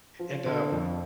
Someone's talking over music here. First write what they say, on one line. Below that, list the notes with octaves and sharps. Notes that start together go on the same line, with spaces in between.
and, um,
F3
D3
F2